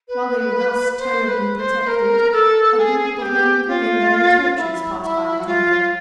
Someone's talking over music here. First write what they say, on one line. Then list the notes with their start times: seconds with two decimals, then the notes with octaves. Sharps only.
While they were thus terribly protected, a group of men and women, bearing torches, passed by the temple.
0.08 B4
0.97 C5
1.27 B4
1.57 C5
1.86 A#4
2.32 A4
2.77 G#4
3.15 G#4
3.21 G4
3.66 F4
4.56 E4
5.01 E4
5.39 F#4
5.46 F4